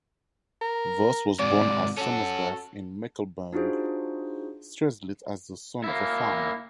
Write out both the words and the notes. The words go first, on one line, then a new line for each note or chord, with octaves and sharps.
Voss was born at Sommersdorf in Mecklenburg-Strelitz as the son of a farmer.
A#4
G#2 C3 D5
C#4 F#4 A4
D4 D#4 F4 F#4 G#4 C5
A#3 E4